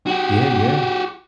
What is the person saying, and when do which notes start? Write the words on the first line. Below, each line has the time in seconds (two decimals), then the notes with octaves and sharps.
Yeah, yeah.
0.07 F#4 G4